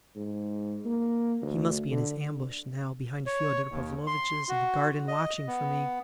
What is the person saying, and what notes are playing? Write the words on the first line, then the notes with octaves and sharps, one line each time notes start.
He must be in his ambush now, behind Fyodor Pavlovitch's, in the garden, watching for me.
G#2
A#3
D2
D3
C#5
D#2
C6
F#4
D#5
B3